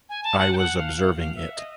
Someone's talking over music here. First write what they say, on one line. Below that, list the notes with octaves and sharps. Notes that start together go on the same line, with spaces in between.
I was observing it.
G#5
A5
F#5
G5
F#5
F5
F5
F5
E5
D#5